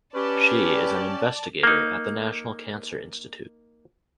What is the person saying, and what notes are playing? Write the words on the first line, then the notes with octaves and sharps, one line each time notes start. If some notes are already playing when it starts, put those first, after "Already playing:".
She is an investigator at the National Cancer Institute.
C#4 G4 B4 D5 A5
A#3 D#4